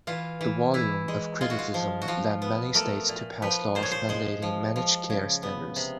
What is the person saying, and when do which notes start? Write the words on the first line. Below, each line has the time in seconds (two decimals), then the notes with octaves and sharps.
The volume of criticism led many states to pass laws mandating managed-care standards.
0.07 E3 F4
0.41 E3
0.74 E3 E4
1.08 G#3
1.41 G#3 F4
1.50 F#4
1.59 F4
1.74 F3
2.02 F#4
2.08 F3 F4
2.42 B3
2.75 A3 A#4
3.09 A#2
3.42 F3 B4
3.75 A#2 C5
3.83 C#5
3.91 C5
4.09 G#3 C5
4.42 F3
4.76 F3
5.10 C#3
5.43 B3
5.76 C3